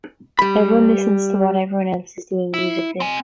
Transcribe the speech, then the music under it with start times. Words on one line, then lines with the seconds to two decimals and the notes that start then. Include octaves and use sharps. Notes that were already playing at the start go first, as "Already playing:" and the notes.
Everyone listens to what everyone else is doing musically.
0.39 G3 B5
2.54 E4
3.00 C4 G#5